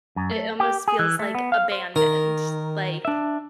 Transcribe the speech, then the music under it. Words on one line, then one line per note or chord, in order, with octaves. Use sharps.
It almost feels, like, abandoned, like
F#2
A3
G4
G#4
E3
A3
B3
F5
C5
D#3 A#4
D4 E5